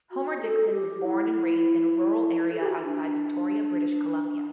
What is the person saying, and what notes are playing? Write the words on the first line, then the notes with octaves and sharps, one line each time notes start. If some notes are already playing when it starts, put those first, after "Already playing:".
Homer-Dixon was born and raised in a rural area outside Victoria, British Columbia.
F#4
A4
F#4
G4
E4
A4
G4
F#4
E4
D4